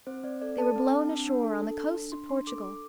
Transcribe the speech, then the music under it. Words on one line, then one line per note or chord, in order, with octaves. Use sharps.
They were blown ashore on the coast of Portugal.
C4 C5
C4 D5
A4 D5
A4 A5
C4
C4
D4
D4
A4
A4
D4
D4
D4 C6
D4 C6
A4 D6
A4 D6